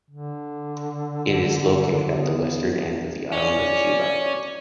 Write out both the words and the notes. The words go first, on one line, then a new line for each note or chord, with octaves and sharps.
It is located at the Western end of the island of Cuba.
D3
B3
C#4 D5